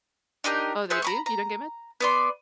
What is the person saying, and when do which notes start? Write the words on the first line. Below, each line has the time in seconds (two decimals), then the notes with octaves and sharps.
Oh, they do? You don't get mad?
0.44 D4 D#4 G4 A#4
0.90 G#4 C5 E5 F#5
1.02 A#5 B5 C#6
1.26 A#5
2.00 B3 D5 C6